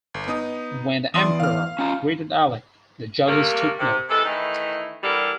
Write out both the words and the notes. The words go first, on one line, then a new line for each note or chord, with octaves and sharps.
When the emperor greeted Alec, the judges took note.
G1
B3 D#4 D#6
E2 D5 C6 D#6
F5 F6
C#4 F4 A#5
C3 G3 A3 A#3
C3
C3 E3 G#3 A4
D#3 E3 A3 D#4 E4
E3 G3 B3 D4 A4 A#4